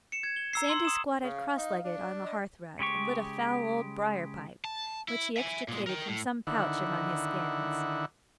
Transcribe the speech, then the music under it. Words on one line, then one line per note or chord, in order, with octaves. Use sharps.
Sandy squatted cross-legged on the hearthrug and lit a foul old briar pipe, which he extricated from some pouch among his skins.
C#7 E7
G#6
G7
A#5 E6 C7
C6 E6 F#7 G7
D#6 E7
C#3 F5
D#4
D4
D#5
C#3 G#3 G4 C#6
A5
E4
E5 G#5
A#2 G#3
A#4 G5
A2
D3 D#3 E4 F#5